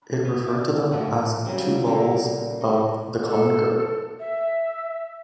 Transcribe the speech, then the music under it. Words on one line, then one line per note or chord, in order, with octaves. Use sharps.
It referred to them as "two levels" of the common good.
B3
D5 E5
A2 F3 C#4 E5 F#5
C#3 F#3 G3 C4
A#2 C#3 G3 A#3 G4 A4
G3 D#4
A4
E5